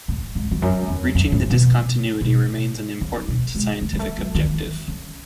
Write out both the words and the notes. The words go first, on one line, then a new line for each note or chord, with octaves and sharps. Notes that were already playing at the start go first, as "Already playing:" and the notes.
Reaching the discontinuity remains an important scientific objective.
A2
G#2
E2
F#2
E2
F#2
A2
B2
B2
C#3
B2
G#3
A3
G#3
A3
F#3
D#3
C#3